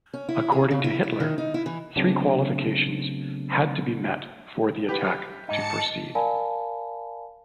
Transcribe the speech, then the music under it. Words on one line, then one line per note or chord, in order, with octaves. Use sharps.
According to Hitler, three qualifications had to be met for the attack to proceed.
C#4
E4
G#4
C#3
E4
E4
D#3
D#4
E4
E3
C#3 F#3 A3 B3 C4 D4
G4 B4 F#5
G#2 D#4 D#5 A5 C#7
A#4 D5 F5 G#5 A5 B5